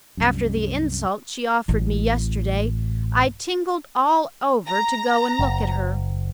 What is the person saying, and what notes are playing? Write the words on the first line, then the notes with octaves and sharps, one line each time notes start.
After the insult she offered me yesterday, I tingled all over to go and look at her.
C2 F#2
A1 A2
A#5
F#1